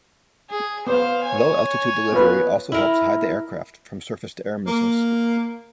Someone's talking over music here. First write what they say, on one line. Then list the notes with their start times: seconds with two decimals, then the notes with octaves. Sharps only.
Low-altitude delivery also helps hide the aircraft from surface-to-air missiles.
0.49 G#4
0.87 B3 C5 F5
1.24 C#5 G#5
2.12 B3 F4 B4
2.72 E4 A#4
4.67 A#3